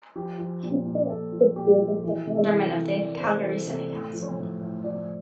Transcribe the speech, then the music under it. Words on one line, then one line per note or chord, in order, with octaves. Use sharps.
He spent six years as an Alderman of the Calgary City Council.
F3 G4
F3
A#2 G4
A#2
A#2 A4
F3
A#2 G4
F3
A4
E3 G4
C3
A4
E3
A#4
E3
E3 D5
A#4
C3 C5
E3 A4
C3 A4
A2
F3
A2
A2
F3 D5